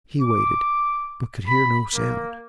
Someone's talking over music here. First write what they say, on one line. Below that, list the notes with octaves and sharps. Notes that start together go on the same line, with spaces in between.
He waited, but could hear no sound.
D6
B5
A#3